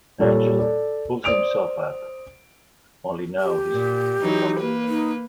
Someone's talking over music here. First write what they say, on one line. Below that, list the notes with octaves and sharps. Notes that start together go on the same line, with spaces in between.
Angel pulls himself up... only now he's a puppet.
A#2 G3 A4 C#5
A4 D5
C5 D5 D#6 D7 F7
G4
A#2
E3 F#3 D#4
A#3 B4
D#4